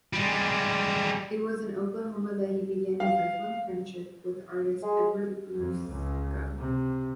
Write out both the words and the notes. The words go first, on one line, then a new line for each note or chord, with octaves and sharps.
It was in Oklahoma that he began his lifelong friendship with artist Edward Ruscha.
G3 G#3
F5
G#3
F2
C#2
C3